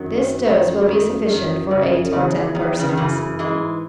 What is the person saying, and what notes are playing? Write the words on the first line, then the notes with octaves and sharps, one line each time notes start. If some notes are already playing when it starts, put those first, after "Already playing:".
This dose will be sufficient for eight or ten persons.
Already playing: F#2 D#3 F#3
D#3 F#3
E3
D#3
F#2 D#3
C#3
E2 C#3
D#3
C#3
D#3
F#2 C#3 E3
F#2
E3 G#3
G#2